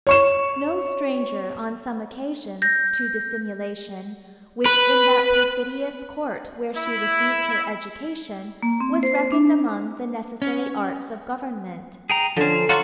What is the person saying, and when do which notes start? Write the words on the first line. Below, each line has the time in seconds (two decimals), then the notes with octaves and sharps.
No stranger, on some occasions, to dissimulation, which in that perfidious court where she received her education was reckoned among the necessary arts of government.
0.07 C#5 C#6 E7
2.62 G6 A#6
4.66 B4
6.76 E4
8.63 A#3
8.80 C4
9.03 C5
9.32 D4
10.42 C#4
12.10 G#4 G5 A#5
12.36 D3 F3 C#4 C5
12.69 F#3 F4 F#4 A4 F#5 C#6